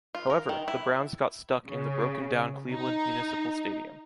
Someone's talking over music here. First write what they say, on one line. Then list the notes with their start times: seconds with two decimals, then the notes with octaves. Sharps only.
However, the Browns got stuck in the broken-down Cleveland Municipal Stadium.
0.15 F4
0.30 A#4
0.49 D#3
0.68 E4
1.68 C#3
2.73 D#4